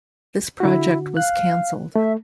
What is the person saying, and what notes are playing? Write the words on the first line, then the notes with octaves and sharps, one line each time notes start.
This project was cancelled.
D3 E4 F#4
F5 F#6
A3 E5